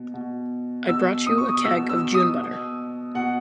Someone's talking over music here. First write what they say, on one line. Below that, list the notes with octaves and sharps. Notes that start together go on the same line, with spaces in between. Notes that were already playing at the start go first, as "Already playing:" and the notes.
I brought you a keg of June butter.
Already playing: B2
B2
B2 E6
D#6
C#6
D#6
B2 E6
E6
D#6
B2
B2 F#5